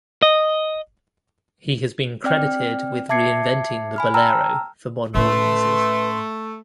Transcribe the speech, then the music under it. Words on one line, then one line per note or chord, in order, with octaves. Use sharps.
He has been credited with reinventing the bolero for modern audiences.
D#5
C4 D5 G5 F6
E5 A5 D6 G#6 C7 C#7
G#5 B5 F6
G5 A5 A#5 E6 F6
A2 A3 C#4 B4 C6